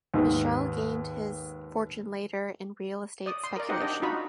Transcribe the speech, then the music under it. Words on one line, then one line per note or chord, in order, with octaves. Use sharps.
Michel gained his fortune later in real estate speculation.
D#2 G#2 B3
D5 D#6
C6
A#4 D5
D#4 G4 C5 D#5 F#5
D4 G4 D5 D#5
D4 D#4 F4 F#4 D#5 B5